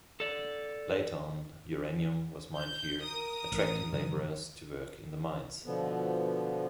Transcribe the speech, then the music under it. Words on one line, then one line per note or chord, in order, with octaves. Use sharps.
Later on uranium was mined here, attracting laborers to work in the mines.
A4 D5
G6
A#4 D#6
A1
F#2 C#3 E3
B2 D3 F3 B3